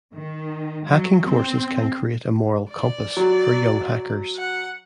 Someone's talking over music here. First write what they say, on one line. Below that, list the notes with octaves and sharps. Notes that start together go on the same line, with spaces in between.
Hacking courses can create a moral compass for young hackers.
D#3
F#3
C4
D5
F#3
F#5